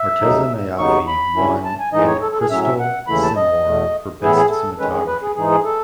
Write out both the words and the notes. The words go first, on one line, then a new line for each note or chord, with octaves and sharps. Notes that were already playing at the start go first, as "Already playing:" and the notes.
Morteza Najafi won an Crystal Simorgh for Best Cinematography.
Already playing: E5
D#2 C#3 F#3 A3 D#4
D#2 C#3 F#3 B3 D#4 C#6
B5
C#3 F#3 C#4 E4
A5
G#5
A2 E3 G#3 D#4 D#5
C#5
A4
A4
G#4
A2 F#3 C#4 E5
E5
F#5
D#2 C#3 E3 A3 E4 B5
A5
D#5
E2 B2 A3
A2 E3 B3 E4 G#4
G#4
A4
D#3 G#3 C#4 B4
G#4
B4
G#4
G#2 E3 G#3 D#4 G#4
G#4
A4